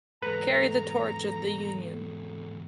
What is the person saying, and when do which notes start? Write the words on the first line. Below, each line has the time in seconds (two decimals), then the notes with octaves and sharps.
Carry the torch of the Union!
0.22 E2 G#2 A4 B4 A#5 C#7